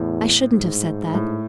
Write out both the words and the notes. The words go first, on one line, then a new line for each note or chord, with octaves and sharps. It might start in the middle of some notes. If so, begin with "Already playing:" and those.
I shouldn't have said that.
Already playing: E2 A2
G#2
A2